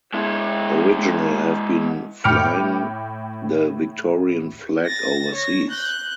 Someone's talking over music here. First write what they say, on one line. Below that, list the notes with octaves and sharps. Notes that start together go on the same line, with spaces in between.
Original have been flying the Victorian flag overseas.
G#3 E4
A2 G5 D6 F6 C#7 F7
A6 A#6
C#5 A#6
F#6 G6